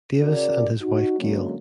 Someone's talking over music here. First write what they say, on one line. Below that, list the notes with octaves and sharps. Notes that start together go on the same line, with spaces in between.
Davis and his wife Gale.
C#3 F#4 A#4 D5
D#4 F#4
D3 F#3 G#3 A#3 C#4 F#4